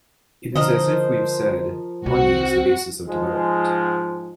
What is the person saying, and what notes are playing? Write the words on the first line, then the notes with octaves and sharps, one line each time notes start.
It is as if we have said, Money is the basis of development.
D3 F3 A#4 C5 D#5
C2 C4 F#4
G#2 F3 G#3